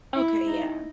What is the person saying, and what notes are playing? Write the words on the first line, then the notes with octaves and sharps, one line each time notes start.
Okay, yeah.
E4
D#4